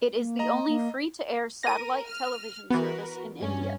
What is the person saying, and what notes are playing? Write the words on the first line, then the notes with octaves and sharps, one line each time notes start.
It is the only free-to-air satellite television service in India.
A#3
D#5 A#5
A#3
A#4 A#6 D#7
F6
E3 B3 F#4 A#4 B4
G2 C#4